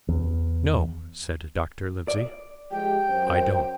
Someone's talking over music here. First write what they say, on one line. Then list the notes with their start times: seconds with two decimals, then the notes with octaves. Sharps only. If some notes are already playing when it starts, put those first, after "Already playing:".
"No," said Dr. Livesey, "I don't."
0.09 E2
2.08 D5
2.71 F3 G#3 G4 G5
3.09 F#2 C5